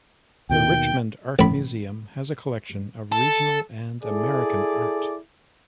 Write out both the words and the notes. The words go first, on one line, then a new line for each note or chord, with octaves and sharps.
The Richmond Art Museum has a collection of regional and American art.
D#2 B2 D#3 G5
A1 B5
A4
E4 G#4 A4 D5